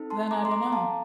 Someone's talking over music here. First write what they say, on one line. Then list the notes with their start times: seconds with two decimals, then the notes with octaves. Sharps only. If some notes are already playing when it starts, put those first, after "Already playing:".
Then I don't know,
Already playing: C4 D#4 A4
0.10 A5 C6
0.31 A#5 D6
0.45 C6
0.51 A#5 D6
0.63 A#5
0.72 F5 A5